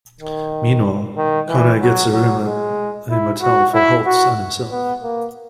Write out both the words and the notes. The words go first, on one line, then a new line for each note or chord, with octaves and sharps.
Meanwhile, Connor gets a room at a motel for Holtz and himself.
D#3
D#3
E3
F#3
F#3
G#3
E4
F#4
E4
F#4
B3
A#3